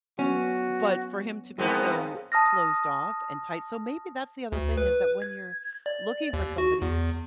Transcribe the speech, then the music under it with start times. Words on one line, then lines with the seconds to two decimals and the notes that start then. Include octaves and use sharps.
but for him to be so closed off and tight so maybe that's the other thing is that when you're looking for somebody,
0.19 F#3 B3 C#4 D4 F#4
1.58 G2 F3 B3 C4 G#4 A#4 C#5
2.32 A5 D#6 F6 A#6
4.52 D2
4.77 B4
5.22 G#6
5.86 D5
6.33 D#2
6.58 F#4
6.82 E2